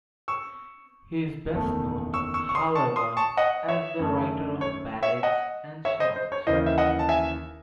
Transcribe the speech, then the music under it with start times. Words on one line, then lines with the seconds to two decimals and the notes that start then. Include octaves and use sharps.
He is best known, however, as the writer of ballads and songs.
0.28 C#6 E6
1.52 F#1 E2 D#3 A3
2.14 C#6 E6
2.34 C#6 E6
2.49 C#6
2.55 C6 D#6
2.75 A5 C#6
2.96 C6 D#6
3.17 A5 C#6
3.37 D#5 F#5
3.68 C#5 E5
3.99 F#2 D#3 A3
4.61 C#5
5.03 C#5 E5
5.23 D#5 F#5
5.85 C#5 E5
6.00 C5 D#5
6.16 C5
6.32 C#5
6.47 D#2 C#3 E3 C5 D#5
6.66 E5
6.78 D#5 F#5
6.99 A5
7.09 E5 G#5